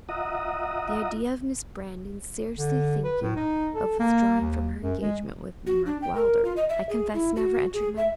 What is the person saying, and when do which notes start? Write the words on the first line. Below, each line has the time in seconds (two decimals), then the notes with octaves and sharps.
The idea of Miss Brandon's seriously thinking of withdrawing from her engagement with Mark Wylder, I confess never entered my mind.
0.09 F4 D#5 E5 F#5 A#5 D#6
2.58 D3
3.04 B4
3.22 A2
3.36 D#4
3.75 A4
4.00 A#3
4.41 D#2
4.83 F#2
5.02 G#3
5.67 F#4
5.86 D4
6.02 G5
6.15 A#4
6.44 F4
6.57 D#5
6.69 E5
6.89 G#4
7.14 E4
7.36 F#4
7.74 G#4
7.97 E5